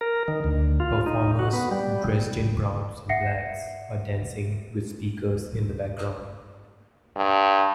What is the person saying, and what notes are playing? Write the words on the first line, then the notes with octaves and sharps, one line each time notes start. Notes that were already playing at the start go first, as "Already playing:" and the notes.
Performers dressed in browns and blacks are dancing with speakers in the background.
A#4
D#3
D2
F4
D#4
F#4
B3
G3
E5 F#5 A#6 C7 C#7
G2